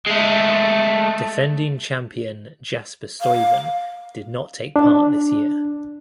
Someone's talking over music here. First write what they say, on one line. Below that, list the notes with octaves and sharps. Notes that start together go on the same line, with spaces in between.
Defending champion Jasper Stuyven did not take part this year.
G#3 A3
F5
D4